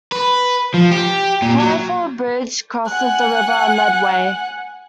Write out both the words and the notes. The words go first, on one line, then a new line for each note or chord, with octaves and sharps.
Twyford Bridge crosses the River Medway.
B4
F3
G4
A#2
F#3
F#5 G#5 F#6